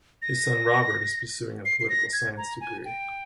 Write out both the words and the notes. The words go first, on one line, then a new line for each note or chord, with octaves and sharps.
His son, Robert, is pursuing a political science degree.
A#6
C7
C7
A#6
G#6
A#5
G#5
G5